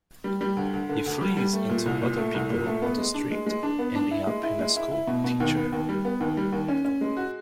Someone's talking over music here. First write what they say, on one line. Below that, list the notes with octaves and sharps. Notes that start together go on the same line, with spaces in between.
He flees into other people on the street, ending up in a schoolteacher.
G3
G3
D2
D2
D3
D2
G3
G3
A3
A#2
C2
A#2
A3
C2
A#2
A3
B3
G#3
D4
G#3
G#3
D4
B3
D4
E4
G#3
E4
G#3
E4
E4
B2
B2
D#2
B3
D#2
G3
B3
D#2
G3
D#2
C#4
C#4
G#3
F#4